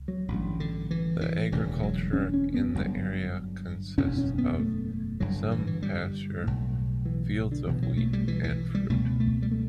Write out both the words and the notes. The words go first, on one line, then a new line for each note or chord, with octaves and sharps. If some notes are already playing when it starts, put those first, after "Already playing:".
The agriculture in the area consists of some pasture, fields of wheat and fruit.
Already playing: C#2
F#3
A1 G2 D3
D3
E3
E3
E1 D2 C#3 E3
F#3
C#4
C#4
B3
G1 G2 D3 F#3
F#1 E2 B2 C#4
C#4
B3
A3
G1 G2 D3 F#3
E3
E3
G3
B1 A2
E3
D3
B1 B2 E3
F#3
A3
G3
E3
E3
G3
C#2 B2 A3
A3
G3
A3